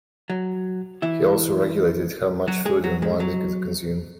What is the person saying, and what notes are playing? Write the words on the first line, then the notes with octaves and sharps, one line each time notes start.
He also regulated how much food and wine they could consume.
F#3
E3 E4
F#3 F#4
G#3 G#4
F#3 F#4
G#2 G#3
F#3